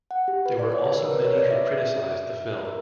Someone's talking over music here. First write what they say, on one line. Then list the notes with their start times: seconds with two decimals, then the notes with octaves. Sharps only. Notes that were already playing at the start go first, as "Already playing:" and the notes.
There were also many who criticized the film.
0.11 F#5
0.28 G4
0.46 B4
0.59 D5
0.72 C#5
0.85 B4
0.98 A#4
1.11 B4
1.25 C#5
1.38 D5
1.51 E5
2.65 A#4